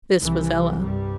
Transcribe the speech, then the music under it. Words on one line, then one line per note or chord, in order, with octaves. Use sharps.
This was Ella.
C2 C3 E3
G2 G3